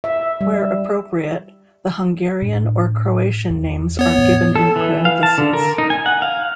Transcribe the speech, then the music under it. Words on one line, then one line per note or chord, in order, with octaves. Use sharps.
Where appropriate, the Hungarian or Croatian names are given in parentheses.
E5
G3
A2 D4
E2
B3 C#5
A2 E3
A4
E3
F5
A5
D3
A#4
D#4
G#5
F#5
F5